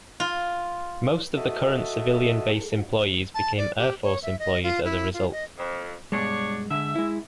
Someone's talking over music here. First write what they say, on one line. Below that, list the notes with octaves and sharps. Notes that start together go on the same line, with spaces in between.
Most of the current civilian base employees became Air Force employees as a result.
F4
F#4 A4 D#5 E5
A5
D5
G4
C#5
E5
D#5
F4
E4
F4
D#5
F2
G2 B2 G#3 D4 C#5
D3 G#3 E5
G#3 E4